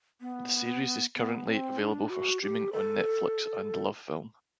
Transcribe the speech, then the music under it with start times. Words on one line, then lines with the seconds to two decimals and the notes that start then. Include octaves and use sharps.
The series is currently available for streaming on Netflix and LoveFilm.
0.21 B3
1.16 B3
1.47 C4
1.79 D4
2.10 F#4
2.42 G4
2.73 A4